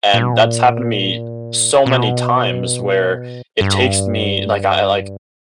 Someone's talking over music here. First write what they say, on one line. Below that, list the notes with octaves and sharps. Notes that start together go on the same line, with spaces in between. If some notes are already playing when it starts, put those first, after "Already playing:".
And that's happened to me so many times where it takes me like, I, like
A#2
B2
A#2
B2
G2